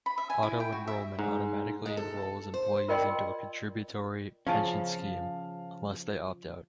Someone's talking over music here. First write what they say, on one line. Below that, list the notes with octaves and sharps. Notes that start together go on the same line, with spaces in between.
Auto-enrolment automatically enrols employees into a contributory pension scheme, unless they opt out.
B5
E5
G#5
E4
G5
F#4
E5
G#2
G#3
A4
C5
F4 A#4 D5 D#5 G5 C6
C#3 F3 C#4 F5 A5